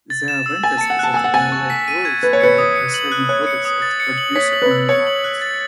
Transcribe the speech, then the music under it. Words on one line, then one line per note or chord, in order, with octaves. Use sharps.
There are vendors that violate rules by reselling products at Producer Only markets.
A6
E7
E6
G#5 A6
A5 C#7
F#5
A5 F#6
G#5 E6
F#5
G#5 A6
C#6
B6
D#7
G#6
B4 G#6
C#5
B4 C#7
D#6
C#7
F#7
F#6
C#5 F#6
C#7
D#6
A6
C#7
F#7
C#5 B6
F#7
B4
E6
C#5 C#7
F#7
F#6
A6